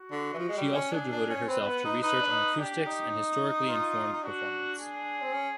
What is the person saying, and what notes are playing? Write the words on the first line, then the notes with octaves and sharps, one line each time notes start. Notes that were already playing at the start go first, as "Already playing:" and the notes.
She also devoted herself to research on acoustics and Historically informed performance.
Already playing: F#4
D3
E3
F3
G#3
G3
C#4
D4 G#4
D4
C#4
C4 B4
C4
B3
D#4
D#4 B4
D4
D#4
D4 G4
D#4
F4
D#4
D4 F#4
G#4
C4
C#4